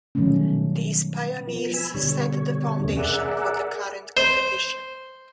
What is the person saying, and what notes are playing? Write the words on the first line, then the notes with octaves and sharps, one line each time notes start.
These pioneers set the foundation for the current competition.
B2 D#3 F#3 G3 A3 C#4
F3 B3
G#5 B5 E6
B2 D3 G3 C#5
E2 C3 A3 C#4
G#4 A#4 D5 E5 F#5
C5